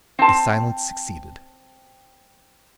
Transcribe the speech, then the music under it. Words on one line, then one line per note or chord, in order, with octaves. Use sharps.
A silence succeeded.
C4 A5